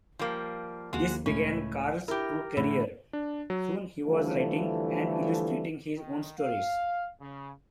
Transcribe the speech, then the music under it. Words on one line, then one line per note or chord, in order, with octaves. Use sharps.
This began Carle's true career; soon he was writing and illustrating his own stories.
F3 G3 A#3
D#2 G#3 F#4
C#2 A2 C#4
E4 G4 A#4 G7
A2 D3 E3
D4
F#3
D3 E3 F3 G3 A3
D#3
F5
C#3